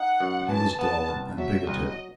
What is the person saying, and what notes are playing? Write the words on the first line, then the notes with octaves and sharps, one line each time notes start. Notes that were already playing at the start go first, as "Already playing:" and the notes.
He was dull and bigoted.
Already playing: D#4 F#5
F#2
E3 A5
B3 A5
C2
F#3 E5
C2 D#5